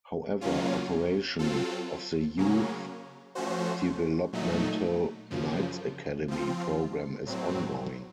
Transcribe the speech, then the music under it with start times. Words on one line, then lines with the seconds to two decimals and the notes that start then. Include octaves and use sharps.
However, operation of the youth developmental "Knights Academy" program is ongoing.
0.41 C#3 F#3 A#3 C#4 F4
1.39 F#3 C4 F4 A4
2.37 C#3 F#3 A#3 C#4
3.35 F3 A3 C#4 F#4 C5
4.33 A#2 F#3 A3 D#4
5.31 F#2 C#3 F3
6.28 F3 C4 F4
7.26 A2 F#3 C4